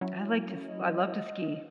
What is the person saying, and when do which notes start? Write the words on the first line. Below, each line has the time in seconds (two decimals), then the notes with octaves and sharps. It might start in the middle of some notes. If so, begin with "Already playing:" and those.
I like to s I love to ski.
0.01 F#3 C#4 E4
0.67 D#5